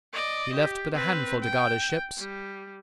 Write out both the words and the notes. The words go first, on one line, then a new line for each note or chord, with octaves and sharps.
He left but a handful to guard his ships.
D5 D#5
G4
C4 B4
G5
G3